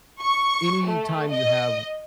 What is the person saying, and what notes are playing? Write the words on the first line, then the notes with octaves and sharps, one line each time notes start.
anytime you have v
C#6
A3
D#5